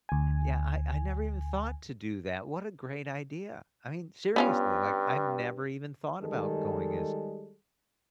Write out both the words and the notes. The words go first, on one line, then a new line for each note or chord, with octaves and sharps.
yeah, I I never even thought to do that, what a great idea. I mean, seriously, like, I've never even thought about going as
D2 G#5
G2 B3 C#4 F4
D#3 G3 G#3 G#4 A4